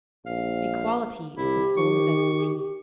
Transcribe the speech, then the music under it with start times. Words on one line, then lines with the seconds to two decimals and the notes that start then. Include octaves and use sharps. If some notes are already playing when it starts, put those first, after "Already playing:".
Equality is the soul of equity.
0.26 A#1 F5
1.37 C2 E4 G4
1.77 D#3 C#6